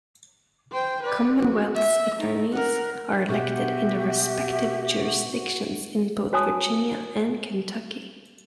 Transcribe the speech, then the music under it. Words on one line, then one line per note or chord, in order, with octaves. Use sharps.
Commonwealth's attorneys are elected in their respective jurisdictions in both Virginia and Kentucky.
C5 G5
B4 D5
F#4
E5
A3 D#4
A#4 F#5
B2 F#4 G4 E5
F#4 C#5 G#5 A5 D#6